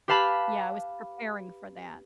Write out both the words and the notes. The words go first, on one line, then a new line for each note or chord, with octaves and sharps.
yeah, I was preparing for that.
G4 B4 F5 A5 B5